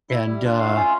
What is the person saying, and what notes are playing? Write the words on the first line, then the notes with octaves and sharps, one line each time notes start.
And, uh,
E4
G3
D4 F4
A3 F5
C#4 F4